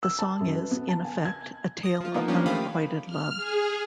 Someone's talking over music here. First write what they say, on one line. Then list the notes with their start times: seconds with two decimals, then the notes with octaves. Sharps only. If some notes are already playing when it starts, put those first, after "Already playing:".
The song is, in effect, a tale of unrequited love.
0.03 E6
0.19 A5
0.41 F#2
0.55 B4
0.71 B3
0.89 A5
1.05 G#5
1.25 G#6
1.83 D#6 A#6
2.00 F3 F4
2.14 F3 A#3 B3 D#4
2.28 F3 G3 A#3 C#4 D4 F4
2.46 D#3 A3 G4 F5 B5 D#6
3.06 F6
3.36 G#4